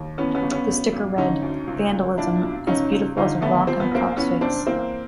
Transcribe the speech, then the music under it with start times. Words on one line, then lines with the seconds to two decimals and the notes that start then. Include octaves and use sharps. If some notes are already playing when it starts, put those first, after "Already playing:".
The sticker read: "Vandalism: As beautiful as a rock in a cop's face".
Already playing: D#2
0.18 E3 B3 C#4
0.34 B3 C#4
0.43 G1
0.51 B3 C#4
0.68 G#1
0.93 G#1
1.17 D3 C#4 D#4
1.42 D2
1.67 C#2
1.92 C#2
2.17 A#2 D4 E4
2.42 B1
2.67 C#2 C#4 D#4
2.92 C#2
3.16 D3 D#4 F4
3.41 D#2 A3 B3
3.67 A#2 C4
3.80 B3
3.91 A#1 A#3 C4
4.17 E3 B3 C#4
4.41 F#1 C4 D4
4.66 E3 A#3 C4